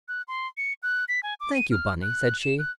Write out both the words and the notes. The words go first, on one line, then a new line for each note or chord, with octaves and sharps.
"Thank you, Bunny," said she.
F#6
C6
C#7
F#6
B6
G#5
D6
D#7
F6
F#6
E7
F#6